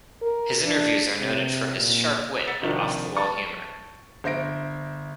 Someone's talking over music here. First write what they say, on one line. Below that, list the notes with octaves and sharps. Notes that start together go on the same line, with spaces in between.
His interviews are noted for his sharp wit and off-the-wall humor.
A#4
D4
C3
A#2
F#5 E6 A6 B6 C#7
C3 D#3 F3 C4 D4
A5 C#6 A6
G1 C5 E5 A#6 D7